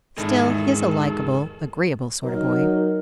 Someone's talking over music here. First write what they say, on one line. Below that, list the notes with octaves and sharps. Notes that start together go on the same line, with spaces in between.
"Still, he's a likable, agreeable sort of boy."
E2 G#2 D#3 G#4 A4
F#3 D#4 A#4